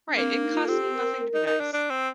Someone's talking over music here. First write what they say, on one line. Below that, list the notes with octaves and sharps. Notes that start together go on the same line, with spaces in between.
Right, it cost nothing to be nice.
D4
A#3 C4
D4
D#4
F4
A4
C4 G4
A#4
A#4
D#4
D#4
D4
D4
C4